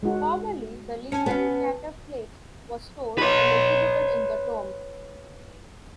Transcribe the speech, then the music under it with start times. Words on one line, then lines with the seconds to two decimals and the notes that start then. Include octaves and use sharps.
Formerly, the Lincoln Catafalque was stored and exhibited in the tomb.
0.03 G#3 F#4
1.12 C#4 G#5 A5 C#7
1.26 B3 C#4 B4 G#5 A5
3.18 B4 C#5